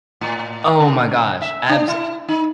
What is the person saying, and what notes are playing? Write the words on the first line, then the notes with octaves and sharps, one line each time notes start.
Oh, my gosh, abs
A2
C#3
E5
D4
E4
D#4